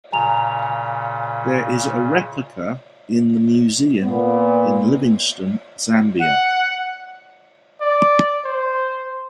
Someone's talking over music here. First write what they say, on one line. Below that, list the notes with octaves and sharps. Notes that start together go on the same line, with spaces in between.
There is a replica in the Museum in Livingstone, Zambia.
A#2 C#3 G#5 A#5 F7
A#2 B3
F#5
D5
C5